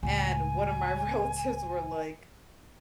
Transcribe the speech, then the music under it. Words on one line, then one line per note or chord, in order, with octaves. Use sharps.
and one of my relatives were like,
C#2 A2 G#5